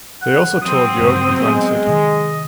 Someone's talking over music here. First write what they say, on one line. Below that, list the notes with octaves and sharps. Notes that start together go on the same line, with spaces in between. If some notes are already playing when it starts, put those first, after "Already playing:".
They also toured Europe with Rancid.
F#5
F#3 C4 D#6
G2 C#3 G#3
G#3 B3
G#2 C3 D#3 D#5